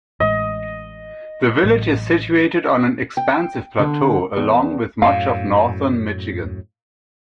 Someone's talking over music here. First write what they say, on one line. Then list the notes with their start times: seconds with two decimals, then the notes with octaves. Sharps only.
The village is situated on an expansive plateau, along with much of Northern Michigan.
0.20 A1 A2 G#3 D#5
1.64 A1 A2 F#3
3.17 G5
3.79 D3
4.37 E2
5.02 F#2 A2 F5